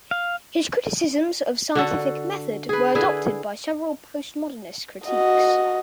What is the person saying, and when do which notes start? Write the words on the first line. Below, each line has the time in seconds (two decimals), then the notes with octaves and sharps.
His criticisms of scientific method were adopted by several postmodernist critiques.
0.11 F5
1.75 D3 F#4 A4
2.69 G#4 B4
2.95 D3 E4 G#4 B4
5.06 F#4 D#5